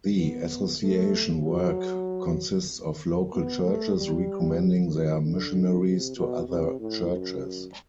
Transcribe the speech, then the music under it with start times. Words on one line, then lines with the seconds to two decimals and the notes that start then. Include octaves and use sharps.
The association work consists of local churches recommending their missionaries to other churches.
0.18 B3
0.80 A3
1.43 F#3
3.33 B3
3.64 A3
3.96 G3
4.91 F#3
5.22 D3
5.85 C3
6.16 B2
6.48 C3
6.79 A2
7.12 F#2